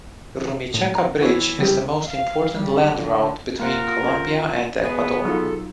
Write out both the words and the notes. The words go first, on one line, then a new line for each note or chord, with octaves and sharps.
Rumichaca Bridge is the most important land route between Colombia and Ecuador.
A2
A#5
E3 B3 C#5
C#2 G3 G4
F5
G3
D3
A#3 F4 A#4 F#5
C#4 C5
B2 B3 G#4 B4
F#3 D#4 F4 A4